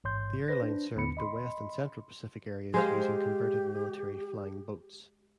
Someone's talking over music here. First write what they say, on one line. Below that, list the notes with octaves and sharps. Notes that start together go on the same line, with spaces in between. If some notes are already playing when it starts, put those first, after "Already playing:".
The airline served the west and central Pacific areas using converted military flying boats.
A1 G#2 C#5 C6 G6
B4 C5 A#6
D4
D#2 D3 B3 B5 C#7
D#5 B5 C6
G#3 G4 C5 F5